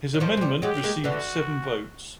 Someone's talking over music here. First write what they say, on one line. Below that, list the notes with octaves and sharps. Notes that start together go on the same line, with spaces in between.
His amendment received seven votes.
F#3
D#3 F3 C5
G#3
F3 G3
F#3 G#3 G4
G#3 A#3
D3 E3 F#4